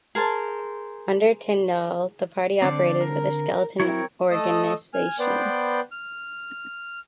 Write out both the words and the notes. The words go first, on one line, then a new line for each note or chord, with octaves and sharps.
Under Tyndall, the party operated with a skeleton organisation.
G#4 A#4 C5 A5
D3 C4 D5
A#4
F#3 C4 E4 A#4 C#5
A3 A4 D#5 D#6 E6
G#5 F6
B3 B4 C5 D5 G5
F6